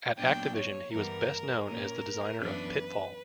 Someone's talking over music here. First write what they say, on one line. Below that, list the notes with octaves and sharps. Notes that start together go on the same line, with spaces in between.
At Activision, he was best known as the designer of "Pitfall!".
A#2 F#3 B3 D4 G5
C#5
G2 E3 G3 B3 A#4
A#2 A#3 C#4 A#4
F#2 E3 B3 D4 B4